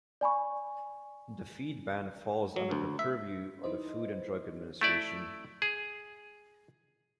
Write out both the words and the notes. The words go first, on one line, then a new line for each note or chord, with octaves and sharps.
The feed ban falls under the purview of the Food and Drug Administration.
D5 G#5 B5 C#6
F#3
D2
E5
D#4 E4 B4 C5 D#5
A3 E4 D5
G#4